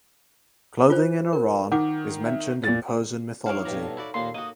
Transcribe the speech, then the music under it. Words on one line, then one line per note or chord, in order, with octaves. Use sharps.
Clothing in Iran is mentioned in Persian mythology.
F4 C5
A#4
D#3 F#5 D6
E5
A#2 A6
F3 F#3 D#4 C#5 F5 D6
G2 B2 A#5
A4
E4 F#4 D5
D#2 A#2 A#3 C6
A#3 F#4 D#5